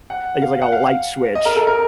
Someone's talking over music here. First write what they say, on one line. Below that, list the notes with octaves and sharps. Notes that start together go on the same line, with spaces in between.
I get, like, a light switch,
F#5
F5
F#5
F5
D#5
A#4
A4
A#4